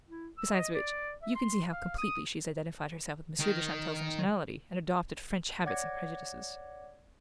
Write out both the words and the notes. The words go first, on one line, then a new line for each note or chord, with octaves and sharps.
Besides which, you can see how completely she has identified herself with Monsieur de Chantelle's nationality and adopted French habits and prejudices.
E4
E6
D#5
D5
E5
C6
F5
D#6
D#3
C#5 D5 F#5 D6 G#6 A#6